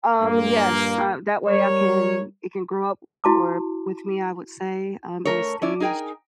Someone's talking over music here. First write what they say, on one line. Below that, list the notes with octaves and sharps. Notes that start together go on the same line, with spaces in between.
Um, yes, uh, that way I can it can grow up or, with me, I would say, um, in a staged
G2 A#2 A#3
G3 A#4 C#5
E4 F#4 A5 D6
A3 A#4 C#5
C#4 E4 D5
D#4 G#4 A#4 G5 G#5